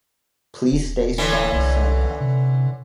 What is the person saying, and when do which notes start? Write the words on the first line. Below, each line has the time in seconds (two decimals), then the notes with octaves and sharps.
Please stay strong Sainaa.
0.72 D#1
1.18 D3 E3 C#4
1.53 C2
2.21 C3